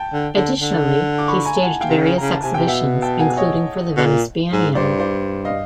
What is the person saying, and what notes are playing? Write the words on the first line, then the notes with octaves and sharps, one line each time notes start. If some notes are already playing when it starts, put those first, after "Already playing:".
Additionally, he staged various exhibitions, including for the Venice Biennale.
Already playing: G5 A5
D3
D3
D3
D6
B5 C#6
G#5 A#5
A5
F#5 G#5
F5 G5
C3
C#3
C#3 A#5
A5
C3 G#5
C3 G5
B2 E5 F#5
G5 A5
F#5 G#5
C#5 D#5
B2
A#2
G#2
G2 C5 D5
C5 D5
D#5 F5